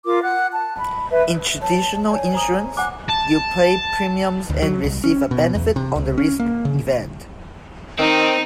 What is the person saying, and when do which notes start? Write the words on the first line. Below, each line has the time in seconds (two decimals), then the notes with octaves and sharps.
In traditional insurance, you pay premiums and receive a benefit on the risk event.
0.06 F4 A#4 D6
0.22 F#5 F#6
0.52 A5
0.78 B5
1.10 B4 E5
1.62 C#5 A5
2.11 C#5 D5 G#5
2.33 C5 A#5 D#6
2.77 F#5 G#5 D6 F#6
3.09 A5
4.50 D2
4.62 F#3
4.84 C2
5.04 C#4
5.31 B2
5.55 E2
5.76 C3
5.96 C#2
6.18 C#4
6.40 A#3
6.65 C#3
7.99 D#3 C4 D#4